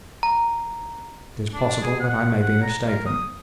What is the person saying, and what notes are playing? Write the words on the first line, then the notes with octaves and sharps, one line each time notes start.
It is possible that I may be mistaken.
A#5
D4
G#4
F#5
F#5
A#5
A#4
D#6